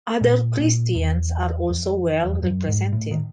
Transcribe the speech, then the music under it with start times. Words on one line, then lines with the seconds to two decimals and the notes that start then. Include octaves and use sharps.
Other Christians are also well represented.
0.21 A#2
0.58 A#2
0.95 E2
1.70 F2
2.23 E2
2.33 F2
2.43 F#2
2.68 G#2
2.92 A2
3.11 D#3